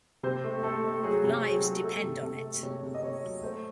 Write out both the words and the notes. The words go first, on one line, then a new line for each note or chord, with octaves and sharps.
Lives depend on it.
C3 C5
A3
A3 A4
A3
F#3 G#4
C3
F#3 G#4
F#3
A3 A4
C3
C3 A4
A3
C3 C#5
C3
D#5
C3 C#5
F#3
A3 C5